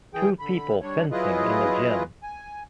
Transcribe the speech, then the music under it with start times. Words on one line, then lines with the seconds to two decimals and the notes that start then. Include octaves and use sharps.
Two people fencing in a gym.
0.14 E3 G#4 G5
0.39 D3 B5
0.82 G3 D4 C#5
1.12 F#3 E4 F4 G#4 B4 D#5
2.23 G#5